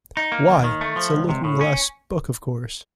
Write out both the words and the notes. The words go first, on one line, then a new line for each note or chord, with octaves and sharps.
Why, it’s a Looking-glass book, of course!
D#4
A#3
D#2
D#3
A3
F3
C#2
C3
A2
C#4